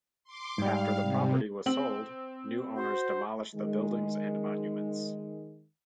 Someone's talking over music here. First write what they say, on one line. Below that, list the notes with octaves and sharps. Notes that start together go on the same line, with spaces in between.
After the property was sold, new owners demolished the buildings and monuments.
C6 D6
G#2 G3 F5
C3
C4 F#7
F#4 C5
D#3 G#3